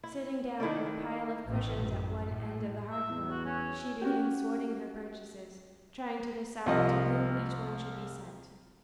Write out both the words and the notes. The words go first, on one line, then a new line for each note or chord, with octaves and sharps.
Sitting down on a pile of cushions at one end of the hearth-rug, she began sorting her purchases, trying to decide to whom each one should be sent.
E4
D#3 E4 A4 D5
A1 A2
F#2
A2
E5
E2
F#4
C#4
C#4 F#4 G4
C2 F3 D#5